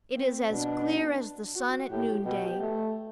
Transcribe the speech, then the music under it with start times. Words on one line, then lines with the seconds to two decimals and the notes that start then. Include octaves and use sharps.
It is as clear as the sun at noonday.
0.15 C4
0.50 B2 D4
1.55 F#4
1.90 A2 G4
2.25 B2 G4
2.60 A3